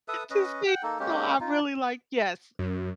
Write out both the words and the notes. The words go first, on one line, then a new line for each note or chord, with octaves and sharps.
to see so I really like yes,
A4 B4 E5 D#6
C#4 B4 D#5
F#5 G5
A#3 D#4 A4
G#3 A#3 C#4 G4
D#4 F4
F#2